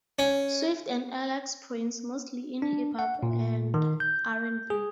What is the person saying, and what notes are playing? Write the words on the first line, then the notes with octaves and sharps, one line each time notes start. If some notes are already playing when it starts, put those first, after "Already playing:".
Swift and Alex Prince, mostly in hip-hop and R and B.
C#4
D4
F#5
A#2
D#3
G6
G#4